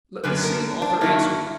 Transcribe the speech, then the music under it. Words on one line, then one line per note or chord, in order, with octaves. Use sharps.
Let the same author answer.
F#2 D3 F#3 C#4 B4
A#4
D4
G2 F#3 A#3 E4